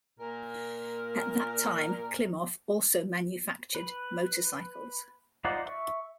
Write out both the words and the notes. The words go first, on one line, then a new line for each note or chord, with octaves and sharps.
At that time Klimov also manufactured motorcycles.
A#2 A#4
B4
D#4 F4 C5 D5 F#5
E5 C#6